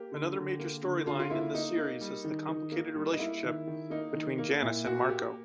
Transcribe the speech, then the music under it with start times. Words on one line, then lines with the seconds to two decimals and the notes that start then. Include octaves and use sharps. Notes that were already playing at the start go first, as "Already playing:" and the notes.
Another major storyline in this series is the complicated relationship between Janis and Marco.
Already playing: A#3 G4
0.12 D3
0.36 D3
0.59 A#3
0.83 D3
1.07 D3 F4
1.19 F4
1.30 A#3 E4
1.54 A#3 D#4
1.78 A#3
2.01 G3
2.24 D#3
2.49 D#3
2.72 A#3
2.96 G3
3.12 D#4
3.19 A#3 E4
3.43 D#3
3.67 D#3
3.90 A#3 D#4
4.14 D#3
4.38 A#3
4.62 A#2 E4
4.85 A#3 F#4
5.09 A#3 G4